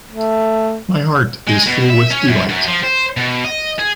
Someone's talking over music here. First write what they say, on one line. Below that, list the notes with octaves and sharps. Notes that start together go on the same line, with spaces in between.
My heart is full with delight.
A3
G#3
B2
E5
C#4
F#2
F#2
F3
C5
B2
D#5
G#4